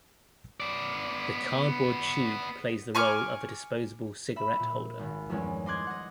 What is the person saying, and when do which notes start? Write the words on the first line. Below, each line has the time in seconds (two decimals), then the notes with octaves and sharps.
The cardboard tube plays the role of a disposable cigarette holder.
0.60 B3 D5
2.95 G#5 C#6 D6 F6
4.36 E5 B5
4.60 A#2
4.99 G#1
5.30 E2 G2 F3 G#3 C#4
5.66 D#5 C6 D6 F#6 G#6
5.87 D#5 F#5